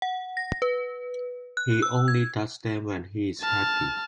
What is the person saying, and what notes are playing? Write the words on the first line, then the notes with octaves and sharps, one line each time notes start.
He only does them when he’s happy.
F#5
A#6
B4
F#6
E6
G#6
A5 F6